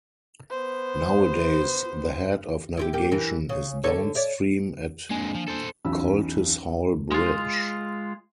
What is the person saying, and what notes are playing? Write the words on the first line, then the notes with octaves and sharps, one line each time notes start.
Nowadays, the head of navigation is downstream at Coltishall Bridge.
B3 C5
E4 F4 G4
A#3 G4
E3 A#4
C#3
D3 A4 C#5
C#5 D5 E5
F2 G#3 A#3 D4 G#5
F3
A4 C5
B1 E2 C#4 D#4 B5 E6
G#3 F4